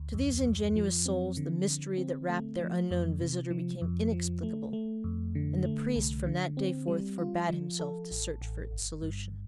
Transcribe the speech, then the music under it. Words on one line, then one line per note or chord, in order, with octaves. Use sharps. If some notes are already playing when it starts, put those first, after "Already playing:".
To these ingenuous souls the mystery that wrapped their unknown visitor became inexplicable, and the priest from that day forth forbade himself to search for its solution.
Already playing: D2
F2
F2
F3
C4
D3
D3
C4
A3
F3
F2
C3
F3
F2
F3
A3
A3
F2
D3
A3
C2
D3
C4
G3
F4
F3
A4
A1
A1
G1
G2